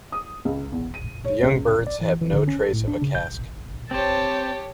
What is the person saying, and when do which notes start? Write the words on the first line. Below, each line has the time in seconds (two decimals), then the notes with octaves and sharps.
The young birds have no trace of a casque.
0.12 D#6
0.45 C#2
0.72 E2
0.94 D#7
1.24 C#5
1.43 C#2
1.87 D5
2.01 E3
2.21 E3
2.33 D3
2.48 C#4
2.61 A4
2.73 A2
2.88 D4
3.02 C#3
3.15 G6
3.91 C4 G4 C5 C#5 A5